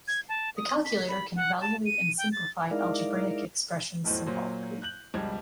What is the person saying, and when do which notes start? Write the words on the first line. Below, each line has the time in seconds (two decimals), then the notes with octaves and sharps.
The calculator can evaluate and simplify algebraic expressions symbolically.
0.08 G#6
0.29 A5
0.57 D#6
0.85 B6
1.08 B5
1.36 F#5
1.61 A5
1.86 D#7
2.18 G5
2.32 A6
2.71 G#3 D#4 E4 A#4 D5 F5
4.04 F1 B1 A2 C5
4.26 A#2 F#3 C5
4.82 F#6 G6 F#7
5.14 E1 C#2 F3 G3 G#6